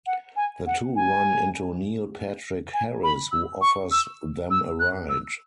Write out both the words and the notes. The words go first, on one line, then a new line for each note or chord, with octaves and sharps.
The two run into Neil Patrick Harris, who offers them a ride.
F#5
G#5
F#5
G#5
G#5
B5
E6
C#6
E6
E6
F#6
E6